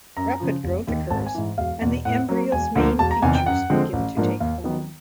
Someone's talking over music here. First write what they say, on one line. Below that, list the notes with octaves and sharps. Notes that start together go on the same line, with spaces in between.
Rapid growth occurs and the embryo's main features begin to take form.
F#2 A#5
C#3 F3
F1
D#2 D#3
G#1 A5
G#5
G#2 E3
E1 F5
E2 B2
A2 F#5
F#3 A#3
E1 G#5
D2 D3 F3 A#3
E1 A5
A#5
E2 C3 D#3 G#5
G5
F#2 F#5
D3 F3 G#3 C4
A1
G#2 F3 A#3 D4
D#2 F5
D#3 F#3 B3